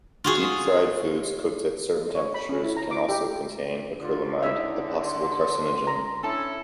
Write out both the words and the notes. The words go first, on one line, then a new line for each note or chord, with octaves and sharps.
Deep-fried foods cooked at certain temperatures can also contain acrylamide, a possible carcinogen.
F4 F#4 G#4
C#5
B5
C#4
E4
A#5
D6
G4
D3 F4
D#4 E4 G#4 C#5 E5
C6
A#5
C#4 D4 E4 A4 A5